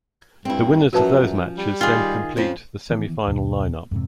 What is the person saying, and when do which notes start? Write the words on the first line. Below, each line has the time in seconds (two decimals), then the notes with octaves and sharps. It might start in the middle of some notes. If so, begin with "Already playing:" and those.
The winners of those matches then complete the semi-final line up.
0.45 G2 C4 E4
0.93 F#2 F3 C#4 F#4 B4 A5
1.58 G3
1.81 D#3 F4 G#4
2.37 F2 F3 C#4
2.90 D#3 E3 B3
3.27 D#2 B2
3.91 F2 G#2 C3